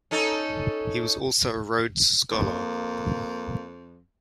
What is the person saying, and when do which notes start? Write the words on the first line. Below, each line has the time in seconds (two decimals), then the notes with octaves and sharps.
He was also a Rhodes Scholar.
0.11 C#4 D#4 A4
2.32 F2 A#3